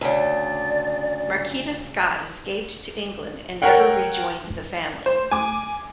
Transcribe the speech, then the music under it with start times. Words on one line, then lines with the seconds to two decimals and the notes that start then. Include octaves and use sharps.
Marquita Scott escaped to England and never rejoined the family.
0.01 D2 C#3 D5
3.62 A#4 C#5 F#5 G5
5.06 C5
5.31 G#5 D6